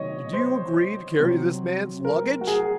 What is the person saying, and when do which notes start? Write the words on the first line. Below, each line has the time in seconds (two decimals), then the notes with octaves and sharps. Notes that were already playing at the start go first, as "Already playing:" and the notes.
"Did you agree to carry this man's luggage?"
Already playing: C3 D#3 F#3 C#5 D#5
0.33 C5
1.19 C3 F#3
2.05 A#4
2.41 F#4
2.47 G#4